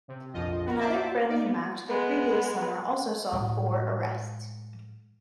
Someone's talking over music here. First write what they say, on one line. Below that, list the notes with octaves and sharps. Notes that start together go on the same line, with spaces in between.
Another friendly match the previous summer also saw four arrests.
C3
A#1 F2 F3 F4 D#5
F#4 A#4
C5 D5 E5 A5 D6
A#3 D#4 D5
B3
G#3 B3
A2 G#3